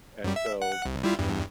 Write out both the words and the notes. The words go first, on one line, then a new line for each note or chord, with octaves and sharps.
and so
F#2 G3
E5
F#5
C2
G3 E4 F4
E2 G2